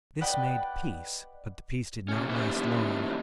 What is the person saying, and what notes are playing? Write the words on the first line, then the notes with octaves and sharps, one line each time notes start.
This made peace, but the peace did not last long.
B4 D5 D#5 F#5 G5 B5
C3 C#4
A#3 C#4 D#4 E4 G4 C5